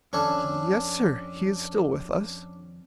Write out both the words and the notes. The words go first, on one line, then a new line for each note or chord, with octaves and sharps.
"Yes, sir, he is still with us."
F2 C#4 D4 A4